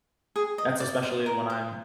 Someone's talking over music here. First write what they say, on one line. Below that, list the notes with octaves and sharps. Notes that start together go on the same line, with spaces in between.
That's especially when I'm
G#4
D#5
D5
C5
A#4
C5